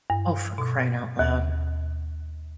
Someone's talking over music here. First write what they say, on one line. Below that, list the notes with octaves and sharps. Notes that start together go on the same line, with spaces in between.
Oh, for crying out loud.
G2
B2
D#2